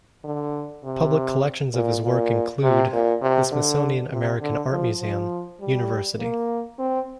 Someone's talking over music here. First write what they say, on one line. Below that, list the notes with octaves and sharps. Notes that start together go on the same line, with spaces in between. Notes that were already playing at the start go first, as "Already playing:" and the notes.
Public collections of his work include: The Smithsonian American Art Museum, Univ.
D3
C3
A#2
A#2
C3
A#2
C3
D3
C3
D3
F3
F3
G3
A#3
C4